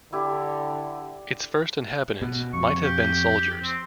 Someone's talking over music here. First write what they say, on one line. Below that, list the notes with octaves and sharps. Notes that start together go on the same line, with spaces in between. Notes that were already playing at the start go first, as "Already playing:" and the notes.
Its first inhabitants might have been soldiers.
D3 E4 G4
B2
F2 C#6
G4
C4